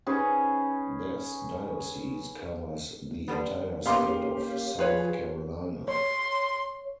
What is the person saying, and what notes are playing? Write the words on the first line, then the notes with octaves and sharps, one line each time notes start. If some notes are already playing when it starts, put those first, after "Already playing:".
This diocese covers the entire state of South Carolina.
C#4 D#4 G#4 B4
D3 G3 B3
A#3 B3 C#4 D#4 G4 F5 C6 D6
F3 F4 G#4 B4 C#5
C#5 C6